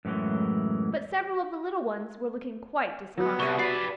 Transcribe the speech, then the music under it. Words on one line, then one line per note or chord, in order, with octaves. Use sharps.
But several of the little ones were looking quite disconsolate.
F#2 A2 E3 F#3 G#3
F#3 B3
C2 G4 C#6
B4 D5 C7